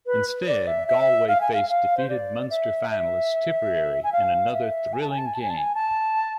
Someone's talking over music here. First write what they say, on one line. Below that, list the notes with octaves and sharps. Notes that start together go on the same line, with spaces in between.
Instead Galway faced defeated Munster finalists Tipperary in another thrilling game.
B4
D5
E5
E5
F5
G#5
F5
F5
C5
D5
E5
E5
G#5
F5
E5
G#5
A5
G#5
A5
G#5
A5
G#5
A5
G#5
A5